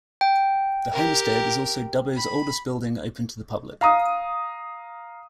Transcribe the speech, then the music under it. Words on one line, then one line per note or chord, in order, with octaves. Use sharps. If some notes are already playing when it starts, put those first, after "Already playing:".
The homestead is also Dubbo's oldest building open to the public.
G5
G4 A#4
B5
F5 A#5 D#6